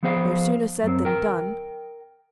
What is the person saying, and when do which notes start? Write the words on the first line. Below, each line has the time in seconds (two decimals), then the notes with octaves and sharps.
No sooner said than done.
0.03 F3 B3 G#4 C5 F5
0.83 F#2 C4
1.05 A#4 G5